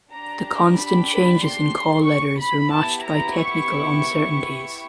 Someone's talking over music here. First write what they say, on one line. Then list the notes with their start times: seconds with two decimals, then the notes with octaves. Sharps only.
The constant changes in call letters were matched by technical uncertainties.
0.12 D4 G4 A#5
0.77 B5
1.10 B5
1.42 C6
2.07 C#6
2.40 B5
2.72 B3 E4 G4 A5
3.05 A#5
3.38 C#6